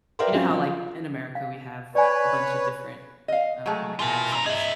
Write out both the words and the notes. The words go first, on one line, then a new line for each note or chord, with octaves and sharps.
you know how, like, in America, we have a bunch of different, n um, like, accents?
A#4 B4 D5 E5 G5 C6
F3 F#3 C4 C#4 F#4
F3
F5
B4 C#5 D5 G#5
D#5 F5
F#3 G#3 A3
B2 E3 F4 A#4
D3 A#5
G#4 D#5 E5